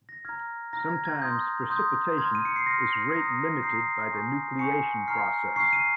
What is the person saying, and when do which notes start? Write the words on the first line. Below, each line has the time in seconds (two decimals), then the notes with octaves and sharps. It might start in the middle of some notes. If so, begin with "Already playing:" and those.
Sometimes precipitation is rate-limited by the nucleation process.
0.09 A#6
0.25 A#5 F6 G#6
0.73 A#5 F6 A#6
0.89 G#6
1.05 G#6
1.22 C6 D#6 G6
1.70 C6 D#6 G6
2.18 C6 F6 G#6
2.35 D#7
2.45 C#7
2.56 C7
2.66 C6 F6 A#6
3.14 A#5 D#6 G6 A#6
3.63 A#5 D#6 G6 C7
4.11 G#5 C#6 G6
4.59 G#5 C#6 G6 C#7
5.08 A#5 C#6 F6 C7
5.56 A#5 C#6 F6 C7
5.73 D#7